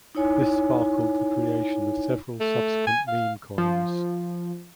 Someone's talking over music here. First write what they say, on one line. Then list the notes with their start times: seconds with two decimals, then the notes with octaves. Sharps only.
This sparkled the creation of several subsequent meme coins.
0.15 D#4 E4 C#5 G#5
2.41 A3
2.87 G#5
3.08 F5
3.58 F3